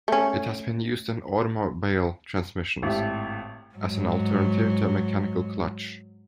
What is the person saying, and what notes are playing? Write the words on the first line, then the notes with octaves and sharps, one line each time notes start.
It has been used in automobile transmissions as an alternative to a mechanical clutch.
A3 C#4
G#1 A2 G4 E5
G#2 F#3